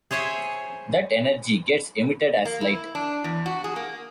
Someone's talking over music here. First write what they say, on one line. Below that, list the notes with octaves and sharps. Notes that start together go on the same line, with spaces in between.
That energy gets emitted as light.
G#4 C5 C#5 E5 G#5
A#3
E4
D4
E2
F#4
G#4
A#3